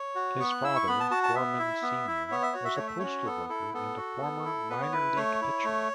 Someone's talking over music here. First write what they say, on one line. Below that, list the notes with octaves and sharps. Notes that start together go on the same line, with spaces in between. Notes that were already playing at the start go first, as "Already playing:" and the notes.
His father, Gorman Senior, was a postal worker and a former minor league pitcher.
Already playing: C#5
F#4
B3 C#6
F#6
E4 E6
C#6
B3 B5
A5
F#4 A5
A5
B3 E5
E4
B3
E4
B3 C#5
E5
F#4 C#5
E5
A3 C#5
E5
C#4 F#4 C#5
B3 A4
E4 A4
B3 A4
F#4
B3
E4
B3 B4
C#5
E4 B4
A3 C#5
E4
A3